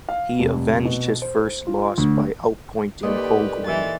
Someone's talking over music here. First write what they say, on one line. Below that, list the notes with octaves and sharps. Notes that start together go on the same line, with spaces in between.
He avenged his first loss by outpointing Holguin.
F5
F1
B2
C5
F4
D2
A#2 D#4 G4 A4 B4 D5 D#5
E3 A6